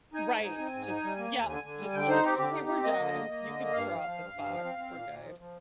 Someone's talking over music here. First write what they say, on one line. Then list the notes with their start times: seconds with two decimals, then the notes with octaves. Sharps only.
Right, just Yep. Just for, like, "Okay, we're done. You could throw out this box. We're good."
0.14 D#4 G#5
0.28 G#2
0.43 D#4
0.58 C4
0.73 G#2
0.89 D#4
1.04 G3
1.18 A#3
1.33 D#2
1.49 D3 G#5
1.63 D3
1.78 G3
1.93 D3 G5
2.08 D#4 C5
2.24 C4 G4
2.38 D3 G4
2.53 D#4
2.69 C4
2.83 A#3 D#5
2.98 D3
3.14 A#3
3.28 A#3
3.44 D3
3.59 A#3
3.73 G2 F5
3.89 F3
4.04 F3
4.19 G2
4.33 G2
4.49 F3
4.64 C4
4.78 C4
4.94 A#2
5.09 A#2
5.23 F3
5.39 F3